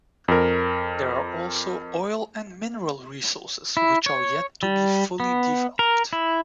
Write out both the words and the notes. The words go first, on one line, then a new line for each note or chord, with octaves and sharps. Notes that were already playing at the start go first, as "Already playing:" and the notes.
There are also oil and mineral resources which are yet to be fully developed.
F2 A#4
E4
C#5
G3
B3
A#4
E4